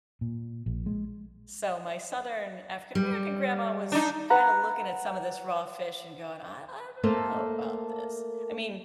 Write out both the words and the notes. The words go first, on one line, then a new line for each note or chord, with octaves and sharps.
So my southern African-American grandma was kinda looking at some of this raw fish and going, "I I don't know about this," I mean,
A#2
A#1
G#3
G3
D4 D#4
B4 F#5 A#5
A3 A#3 A4 A#4 C5